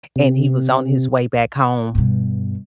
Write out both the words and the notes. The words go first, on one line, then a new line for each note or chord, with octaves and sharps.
And he was on his way back home.
C3
G2 B2